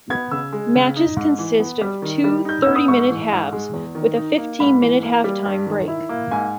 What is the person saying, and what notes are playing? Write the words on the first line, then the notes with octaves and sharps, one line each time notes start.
Matches consist of two thirty-minute halves, with a fifteen-minute half-time break.
B3 G#6
C#3 E6
G#3
C#3
D#4
G#2
E3
B3
G3
D#3
G3
D#4 G6
B3 E6
D#6
G#2 C#6
E3
G#2
G#3
E2
D#3
D#4
A#3
G#2 B5
E3
A#3
G3
G2
D#3
E4
A#3
G#2 G#5